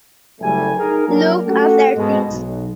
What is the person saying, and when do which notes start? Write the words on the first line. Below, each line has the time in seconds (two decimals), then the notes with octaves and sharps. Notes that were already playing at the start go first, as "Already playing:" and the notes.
Look after things.
0.41 F#1 G3 A3 G#5
0.77 D#4 G#4 A#4
1.08 F#3 A#3 C#4 D4 F#4 A#4
1.46 A3 C#4 F#4 G4 A4
1.96 G#2 B2 G#3
2.30 B1